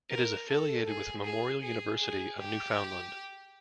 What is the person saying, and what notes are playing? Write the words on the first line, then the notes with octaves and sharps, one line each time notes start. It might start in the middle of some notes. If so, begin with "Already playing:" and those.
It is affiliated with Memorial University of Newfoundland.
A#4
A4
G#4
G#4
G#4
G#4
G4